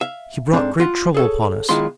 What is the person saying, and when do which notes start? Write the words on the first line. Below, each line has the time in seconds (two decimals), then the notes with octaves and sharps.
He brought great trouble upon us.
0.01 E5 F5
0.53 G#2 C4 D4 A4 A#5
0.80 F4 F#5
1.14 G#4 A4 C#5
1.69 B1 D#3 G#3 E4 F4 C6